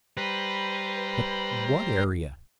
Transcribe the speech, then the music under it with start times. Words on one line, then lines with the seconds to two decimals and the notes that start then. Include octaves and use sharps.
But what area?
0.17 G3 B4 C5 A#5